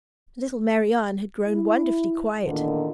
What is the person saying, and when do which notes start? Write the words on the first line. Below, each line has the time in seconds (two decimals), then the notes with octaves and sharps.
Little Marianne had grown wonderfully quiet.
1.47 E4
2.44 E2 A#2 D3 D#3